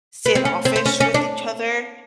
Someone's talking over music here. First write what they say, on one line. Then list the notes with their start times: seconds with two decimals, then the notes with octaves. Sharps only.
standoffish with each other,
0.26 B3
0.35 C4
0.45 C#4
0.65 C4
0.76 C4
0.86 C#4
1.00 C#4
1.14 D4